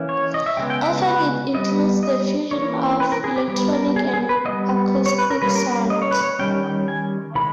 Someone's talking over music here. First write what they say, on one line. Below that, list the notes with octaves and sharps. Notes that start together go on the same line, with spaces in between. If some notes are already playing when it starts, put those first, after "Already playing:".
Often it includes the fusion of electronic and acoustic sounds.
Already playing: E3 A#3 C#4
C#5
D#5
E5
C#3 G#3 B3 G5
G5
E5
B4
G3 B3 D#5
D#5
E3 A#3 C#4 C#5
B4
A#4
G#4
G4
G3 B3 G4
A#4
G#4
G#4
B4
G3 B3 D#5
C#5
B4
A#4
G3 A#3 C#4 B4
A#4
B4
D#5
C#5
B4
C#5
D#3 G3 C#4 G5
G5
G#5
D#3 G#3 B5